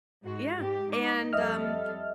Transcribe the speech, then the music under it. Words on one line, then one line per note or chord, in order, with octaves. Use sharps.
Yeah, and, um,
G#2 G#3 F#4
G#2 G4
D#4 D6
F2 G3 A4 D#5 E5 F6